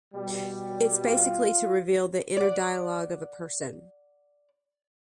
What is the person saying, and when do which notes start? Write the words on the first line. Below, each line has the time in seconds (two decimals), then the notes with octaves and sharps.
It’s basically to reveal the inner dialog of a person.
0.14 B2 G3
1.07 F4
2.37 D5 F#5